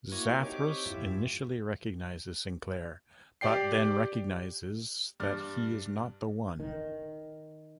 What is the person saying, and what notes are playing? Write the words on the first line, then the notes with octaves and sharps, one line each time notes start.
Zathras initially recognizes Sinclair, but then realizes that he is not the One.
A#3 E4 F#4 C#5 G#5
C4 D#4 G4 C#5 D6
F2 G#2 E4 F4 G4 E5
G4 D5 G5 C7
G2 D5 F6
D#3